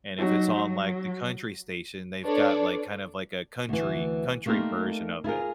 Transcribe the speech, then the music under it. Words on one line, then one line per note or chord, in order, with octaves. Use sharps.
and if it's on, like, the country station, they've got, like, kind of, like, a country country version of it.
F#3 D#4
F#3
D4 A4 B4 C#5 D5
D2 E3
A3 A#3 C4 D#4 G4 A#4
E4 F4 G#4 A#4